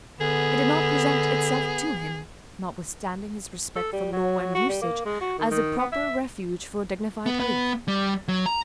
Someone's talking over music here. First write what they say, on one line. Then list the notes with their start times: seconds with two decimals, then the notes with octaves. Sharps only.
It did not present itself to him, notwithstanding his respect for law and usage, as a proper refuge for dignified grief.
0.20 D3 B3 G#4
3.76 A4
3.93 G3
4.12 F#3
4.55 F#4
4.69 G3
4.82 A#3
5.05 G#3
5.21 F#4
5.39 D#3
5.51 D#3
5.79 B3
5.92 E5
7.26 B3
7.40 B3
7.88 G3
8.28 F#3
8.46 A#5